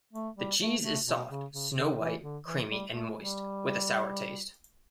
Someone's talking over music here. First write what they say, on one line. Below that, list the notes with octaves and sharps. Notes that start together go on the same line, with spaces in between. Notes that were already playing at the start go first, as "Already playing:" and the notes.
The cheese is soft, snow-white, creamy, and moist, with a sour taste.
A3
G3
A3
A3
B2
C#3
C#3
D3
E3
D3
E3
G3
A3
G3